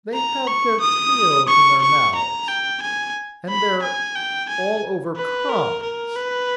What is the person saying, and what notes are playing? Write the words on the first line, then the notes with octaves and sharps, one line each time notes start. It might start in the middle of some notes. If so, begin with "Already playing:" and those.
'They have their tails in their mouths--and they're all over crumbs.'
A#5
C#6
D#6
C#6
C#6
A#5
G5
G#5
B5
G#5
G5
G#5
B4
A#4
A#4
B4